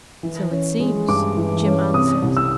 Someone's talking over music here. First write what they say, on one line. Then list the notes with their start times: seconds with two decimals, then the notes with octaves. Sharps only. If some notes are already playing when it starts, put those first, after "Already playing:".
"So it seems," Jim answered.
0.23 E3
0.51 C#4
0.80 G#3
1.08 G2 D6
1.37 E3
1.65 C#4
1.94 C3 D#6
2.22 C2
2.37 E6